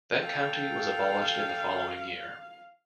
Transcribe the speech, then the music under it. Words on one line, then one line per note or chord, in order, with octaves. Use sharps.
That county was abolished in the following year.
A4 F5 G5